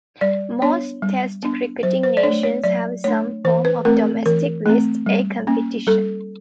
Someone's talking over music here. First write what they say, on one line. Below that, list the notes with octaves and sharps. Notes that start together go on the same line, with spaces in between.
Most Test cricketing nations have some form of domestic List A competition.
G3 D5
B3 D4 C#5
G3
B3 D4
F#3 C5
C5
D5
A3 D4 C#5
C#5
F#3 D5
A3 D4 C#5
E3 C5
B4
A3 C4 A#4
E3 A#4
A3 C4
G3
A#3 C#4
G3 A4